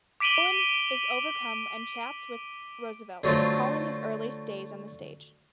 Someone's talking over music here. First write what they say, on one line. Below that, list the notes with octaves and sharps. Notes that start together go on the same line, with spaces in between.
Cohan is overcome and chats with Roosevelt, recalling his early days on the stage.
D6 B6 D7 D#7 F#7 G7
D3 F#3 A3 F4 C5